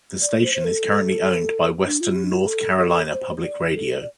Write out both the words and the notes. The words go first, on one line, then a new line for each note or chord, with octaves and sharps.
The station is currently owned by Western North Carolina Public Radio.
D5
C5
C5
A4
D4
F4
G4
D4
F4
G4
A4
A4
C5
D5
A4
D5